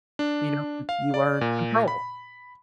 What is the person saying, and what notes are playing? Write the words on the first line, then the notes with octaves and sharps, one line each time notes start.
You know that you are in control.
D4
F5
D5
A#2
B5